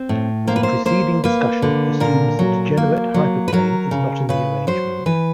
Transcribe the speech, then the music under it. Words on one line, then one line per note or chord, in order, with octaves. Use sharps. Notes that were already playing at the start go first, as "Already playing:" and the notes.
The preceding discussion assumes the degenerate hyperplane is not in the arrangement.
Already playing: C4
A2
A#3 C5
B4
C5
A#3 C5
A#3 B4
D3
A#2 A#4
F#3
A#3
F#3
B4
F#3 A#4
C#3
C#3 B4
F#3 C5
E3 B4